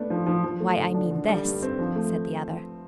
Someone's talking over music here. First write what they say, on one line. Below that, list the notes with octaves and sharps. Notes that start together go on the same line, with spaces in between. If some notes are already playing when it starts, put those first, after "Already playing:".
"Why, I mean this," said the other.
Already playing: A3 B3 D4
F3
F3
F3
A3
D3
D4
D3
G3
G2
C4
F3
A3